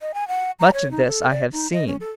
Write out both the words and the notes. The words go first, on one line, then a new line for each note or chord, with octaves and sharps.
Much of this I have seen.
D#5
G#5
F#5
A#5
C#5
D#4
A4
D5
D#4
D#5
C#4
A4